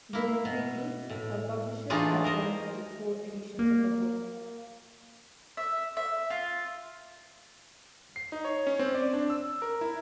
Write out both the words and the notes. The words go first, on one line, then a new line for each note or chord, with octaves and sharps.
Within three weeks, her publishers had run through four editions of the book.
A#3 E4
B2
A2
E3 A3 D4 D#4 F4 G#4
A#4 C5 D#5
A#3
E5
E5
F4
C7
D#4
C#5
C#4
C4
D5
D4
E6
A#4
E4